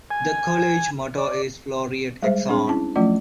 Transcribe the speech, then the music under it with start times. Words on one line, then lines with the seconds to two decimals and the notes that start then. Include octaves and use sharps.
The College motto is Floreat Exon.
0.11 G#5
1.18 D5
2.23 G3 G#3 G#4 C5 E5
2.48 C4 D4 G#4
2.68 C#4 E4 A5
2.96 F3 F#3 A3 C#4 F4 D5